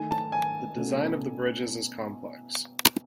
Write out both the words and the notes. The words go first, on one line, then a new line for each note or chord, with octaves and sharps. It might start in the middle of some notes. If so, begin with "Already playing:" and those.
The design of the bridges is complex.
Already playing: D#3 A3 D#4 G#5
A5
G#5
B2 A3 C#4 F#4